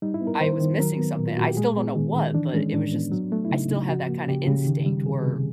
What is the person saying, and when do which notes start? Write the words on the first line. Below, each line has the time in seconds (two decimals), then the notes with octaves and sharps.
I was missing something. I still don't know what, but it was just I still have that kinda instinct where
0.02 G3 D#4
0.14 E4
0.21 B3
0.27 A#4
0.40 D#3 C5
0.60 D#3
0.79 F#3 A#4
0.99 B3
1.18 A#2
1.28 F4
1.37 A#2 F#4
1.47 G4
1.57 G#3 G#4
1.77 B3
1.96 D#3
2.16 D#3
2.35 E3 D4
2.54 G#3 C#4
2.73 A2 D4
2.93 B3
3.12 F#3
3.32 A3
3.45 E4
3.50 C#3 D#4
3.70 C#3
3.89 F3 F#4
4.09 A#3
4.28 C#3 G4
4.47 C#3
4.67 D#3
4.86 G3
5.06 C3 G#4
5.25 C3